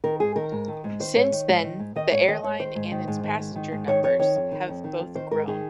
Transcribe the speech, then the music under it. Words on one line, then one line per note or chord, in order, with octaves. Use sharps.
Since then, the airline and its passenger numbers have both grown.
D#3 A#4
G#2 G#4
D#3 A#4
G#2
D#3
G#2
D#3 C5
G#2 C#5
D#3
G#2
D#3
G#2
D#3 D#5
G#2 C#5
D#3 D#5
G#2 C#5
D#3 C5
G#2
D#3
G#2
D#3
G#2
D#3
G#2
D#3 C#5
F2 C#5
D#3 C#5
F2
D#3
F2
D#3
F2
D#3 C5
G#2 A#4
D#3 G#4